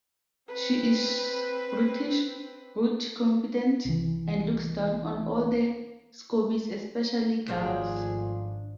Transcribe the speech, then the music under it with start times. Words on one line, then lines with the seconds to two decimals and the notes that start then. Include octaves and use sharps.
She is British, rude, confident, and looks down on all the Scoobies, especially Giles.
0.48 C4 B4
3.85 C2 E3
7.48 G#1 G#2 F3 A3 D4 G#4 C5 F5